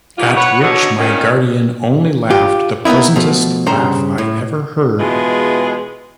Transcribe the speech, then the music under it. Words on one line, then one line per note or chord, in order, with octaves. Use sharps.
At which my guardian only laughed the pleasantest laugh I ever heard.
B2 D#3 G3 A#3 E4 F4
B4 C#5 F#5
B2 D3 F#3 D#4 C#5
A#2 D#3 C#4
F4 G4
A#3 B3 C#4 D#4 E4
B2 F3 A3
G2 C#3 C5 A#5
A2
B2 E3 G#3 F4 G#4